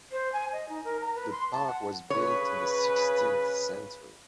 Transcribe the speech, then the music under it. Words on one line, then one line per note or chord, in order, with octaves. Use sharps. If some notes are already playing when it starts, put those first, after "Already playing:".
The park was built in the sixteenth century.
C5
G#5
D#5
D#4
A#4
A#5
B4
C6
A5
F#5
C#3 B4 C#5